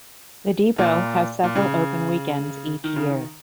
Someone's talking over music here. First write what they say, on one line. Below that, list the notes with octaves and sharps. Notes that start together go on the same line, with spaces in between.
The depot has several open weekends each year.
A#2
A#2
C#3
D#3
C#3
D#3